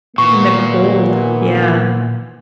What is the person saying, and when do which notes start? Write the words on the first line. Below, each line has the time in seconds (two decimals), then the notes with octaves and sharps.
In the cold, yeah.
0.18 A#2 D#3 E3 B3 C#6